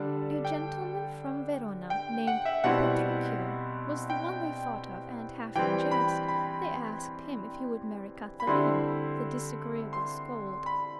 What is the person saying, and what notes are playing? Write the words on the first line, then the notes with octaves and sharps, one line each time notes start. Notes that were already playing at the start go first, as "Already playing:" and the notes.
A gentleman from Verona, named Petruchio, was the one they thought of, and, half in jest, they asked him if he would marry Katharine, the disagreeable scold.
Already playing: D3 G3 D4
G5
G5
F#5
E5
B2 G3 C4 E4 F#5
G5
E3 G3 C4 G5
B5
B5
B5
D3 G3 C4 E4 C6
C6
B5